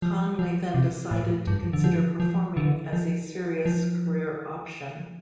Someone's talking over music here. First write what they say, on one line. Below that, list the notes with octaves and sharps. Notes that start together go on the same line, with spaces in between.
Conley then decided to consider performing as a serious career option.
F3
F3
C3
A2
G2
D3
F3
F3
D3
F3
F3